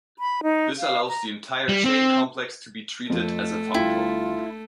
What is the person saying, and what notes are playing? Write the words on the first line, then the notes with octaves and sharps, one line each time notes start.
This allows the entire chain complex to be treated as a functor.
B5
D#4
F5
A#5
G3
C4
F2 F3 A3
G1 E4 F4 G5